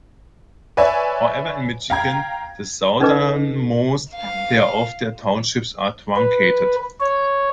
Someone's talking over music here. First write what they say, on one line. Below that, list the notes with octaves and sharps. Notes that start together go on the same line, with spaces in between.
However in Michigan, the southernmost tier of townships are truncated.
B4 C#5 D5 E5 G#5
F5 G5 A#5 G#6
C#4 D#4 A4 B4 D#5 D6
F5
B4
C#5